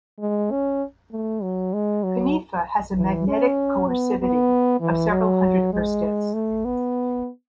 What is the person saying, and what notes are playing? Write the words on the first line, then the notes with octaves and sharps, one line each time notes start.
Cunife has a magnetic coercivity of several hundred oersteds.
G#3
C#4
A3
F#3
G#3
F#3
E3
C#4
B3
B3
E3
F#3
G#3
A3
B3